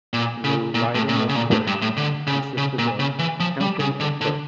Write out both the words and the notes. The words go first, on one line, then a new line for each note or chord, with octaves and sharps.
The new riding of Perth consisted of County of Perth.
A#2
C#3
A#2
A2
A#2
A2
C#3
A#2
A2
G2
A2
D3
C#3
C#3
A#2
C#3
E3
F3
G3
C#3
D3
D3